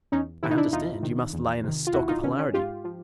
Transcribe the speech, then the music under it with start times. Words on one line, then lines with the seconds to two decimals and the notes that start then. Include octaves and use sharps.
"I understand; you must lay in a stock of hilarity."
0.12 E2 C#4 D#4
0.43 C3 D#3 E4
0.50 D#4
0.57 D4 E4
0.72 E2 D#4 F4
1.02 C3 D#3
1.33 E2
1.63 C3 D#3
1.87 F4
1.93 E2 E4 F#4
2.08 D#4 F4
2.23 C3 D#3 C#4
2.39 C#4
2.54 G#2 F4 G4
2.84 F3